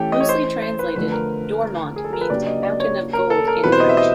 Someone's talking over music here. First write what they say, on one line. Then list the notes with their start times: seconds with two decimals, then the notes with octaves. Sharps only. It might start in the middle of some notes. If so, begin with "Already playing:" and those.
Loosely translated, Dormont means "Mountain of Gold" in French.
Already playing: E3 A3 C#4 G4 A4
0.12 D#5
0.21 C#5
0.29 C5
0.62 C5
0.79 B4
0.96 F2 D3 F3 A3 B4
1.12 A#4
1.96 G#4
2.04 A4
2.13 A#4
2.21 B4
2.30 C#3 F#3 A#3 D4 G4 D5
2.46 D#5
2.63 D5
2.80 C#5
3.13 A#4
3.30 A4
3.47 A#4
3.64 E2 B2 G3 C4 E4 B4
3.72 C5
3.80 D#5
3.89 E5
3.97 D#5